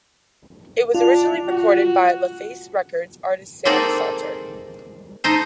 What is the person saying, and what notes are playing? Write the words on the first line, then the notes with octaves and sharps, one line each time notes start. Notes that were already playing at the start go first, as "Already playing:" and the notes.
It was originally recorded by LaFace Records artist Sam Salter.
D4 F4
F#4
A#3 C4 D#4 G#4 A4 D5
D#4 A4 C5